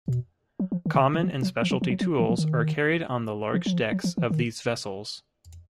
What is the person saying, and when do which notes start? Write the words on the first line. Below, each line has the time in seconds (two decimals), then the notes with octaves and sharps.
Common and specialty tools are carried on the large decks of these vessels.
0.08 B2
0.60 F#3
0.72 F3
0.86 D#3
0.94 D3
1.14 D#3
1.23 F3
1.42 F#3
1.62 F3
1.71 F#3
1.82 F3
1.90 F#3
2.01 F#3
2.19 E3
2.29 F3
2.38 D#3
3.54 F3
3.66 F#3
3.73 F3
3.92 F#3
4.04 F3
4.17 E3
4.30 D#3